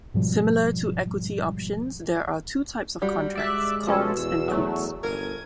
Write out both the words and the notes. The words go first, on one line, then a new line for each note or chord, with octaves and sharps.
Similar to equity options, there are two types of contracts: calls and puts.
G#2 B2 F3 G3
G3 F#4
G#3 D5 E5 F#6
B2 F3 C#4 A4
E2 E6
F#3 A3
G1 A#4 G#6 D#7